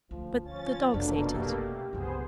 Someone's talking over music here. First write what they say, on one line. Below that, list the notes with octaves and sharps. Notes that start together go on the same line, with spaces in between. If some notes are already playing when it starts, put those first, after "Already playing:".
But the dogs ate it.'
D2 F3
F3 C#4 A6
F1 B2 A3 A#3 D4
C#4 G4
C#2 G2 B3 G#4 C5